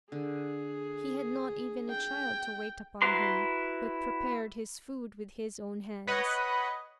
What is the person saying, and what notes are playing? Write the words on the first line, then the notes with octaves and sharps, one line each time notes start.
He had not even a child to wait upon him, but prepared his food with his own hands.
D3 G#4
G5
E4 F#4 B4 A#5 C6
B4 C#5 D#5 F#5